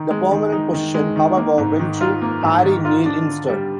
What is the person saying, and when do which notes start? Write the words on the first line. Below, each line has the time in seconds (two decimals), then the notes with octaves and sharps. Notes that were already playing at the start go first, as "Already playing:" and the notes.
The permanent position, however, went to Harry Neale instead.
Already playing: D#3 D#4
0.11 G#3
0.31 D#3
0.52 D#4
0.74 D#3
0.94 G#3
1.16 D#3
1.37 A#3
1.58 G#2
1.79 D#3
2.01 F4
2.22 A#3
2.43 G#2
2.64 D#3
2.85 F4
3.06 D4
3.27 D3
3.48 G3